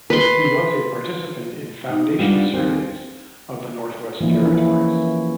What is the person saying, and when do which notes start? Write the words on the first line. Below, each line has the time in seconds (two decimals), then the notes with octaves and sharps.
He was a participant in foundation surveys of the Northwest Territories.
0.10 B4 C6
1.89 D#4
2.19 G3 B3 D4 F4
2.53 D#2 C4 G#5
4.21 E3 F3 A#3 E4
4.46 C#4 E4